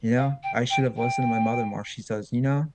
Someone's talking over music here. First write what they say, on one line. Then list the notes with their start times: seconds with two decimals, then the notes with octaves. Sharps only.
you know, I should've listened to my mother more, she says, "You know,
0.17 F5
0.43 G5
0.70 G5
0.97 G5